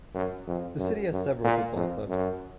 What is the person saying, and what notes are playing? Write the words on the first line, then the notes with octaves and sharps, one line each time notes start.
The city has several football clubs.
F#2
F2
F#2
F#2
A#2
F2
F#2